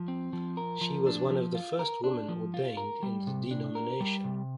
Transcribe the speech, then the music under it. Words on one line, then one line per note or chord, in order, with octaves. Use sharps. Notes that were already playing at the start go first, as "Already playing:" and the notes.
She was one of the first women ordained in the denomination.
Already playing: F3
C4
F3
A#4
F3
D4
F3
F4
A#4
D4
F3
F4
A#4
G3
C3
D4
A#4
G3
C3